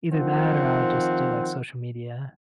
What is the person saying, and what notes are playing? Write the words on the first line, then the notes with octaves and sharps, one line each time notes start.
either that or I'll, just, do, like, social media.
D#3 F3 C4 F#5